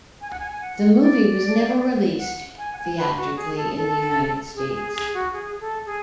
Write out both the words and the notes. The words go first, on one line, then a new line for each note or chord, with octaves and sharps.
The movie was never released theatrically in the United States.
G#5
F#5
G#5
G#5
F#5
D5
F#5
G#5
F#5
G#5
B4
F#4
G#4
A4
A4
G#4
G#4
G#4
F#4
G#4
A4
G#4